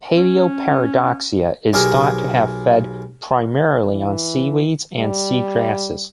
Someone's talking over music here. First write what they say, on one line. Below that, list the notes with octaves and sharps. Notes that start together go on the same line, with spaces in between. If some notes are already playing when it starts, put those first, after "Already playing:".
"Paleoparadoxia" is thought to have fed primarily on seaweeds and sea grasses.
C#4
B1 G4 G#4 A#4
E3
G3